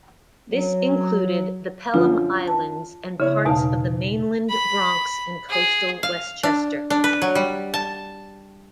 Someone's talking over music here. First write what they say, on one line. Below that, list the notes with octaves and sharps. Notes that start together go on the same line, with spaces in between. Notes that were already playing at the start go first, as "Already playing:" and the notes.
This included the Pelham Islands and parts of the mainland Bronx and coastal Westchester.
F#3
F#2 D3 F3 F4
A5
C#3 E4 C#5
E2 G#2 B2 F5 A5
B5
G#4
F5
D4
D4
B4
F#3
G3
A5